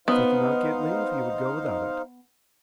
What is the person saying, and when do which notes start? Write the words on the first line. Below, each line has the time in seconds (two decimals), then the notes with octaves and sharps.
If he could not get leave he would go without it.
0.08 B3 D#4 C5 F5